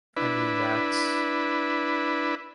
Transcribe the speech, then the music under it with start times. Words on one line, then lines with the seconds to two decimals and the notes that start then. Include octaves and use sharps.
I mean that's...
0.16 D4 E4 B4